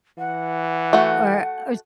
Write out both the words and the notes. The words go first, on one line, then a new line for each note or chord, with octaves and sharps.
Or or
E3 F#5
A3 F#4